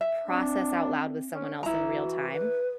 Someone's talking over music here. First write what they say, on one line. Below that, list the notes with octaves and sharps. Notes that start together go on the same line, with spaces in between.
process out loud with someone else in real time.
E5
C4 D4
C#4
E3 E4 A#5
F#4
B4